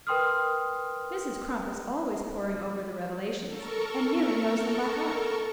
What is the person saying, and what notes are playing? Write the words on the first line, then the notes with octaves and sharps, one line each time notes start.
Mrs. Crump is always poring over the Revelations, and nearly knows them by heart.
A#4 B4 G5 C6 D#6 F6
A4 A#4 C#6